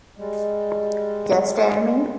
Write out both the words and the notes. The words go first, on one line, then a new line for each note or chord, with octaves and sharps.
Just tell me.
G3 G#3